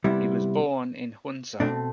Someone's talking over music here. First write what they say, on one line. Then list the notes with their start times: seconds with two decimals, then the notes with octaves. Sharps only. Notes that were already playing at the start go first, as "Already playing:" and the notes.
He was born in Hunza.
0.04 C3 G3 B3 E4
1.60 B2 A3 C4 D4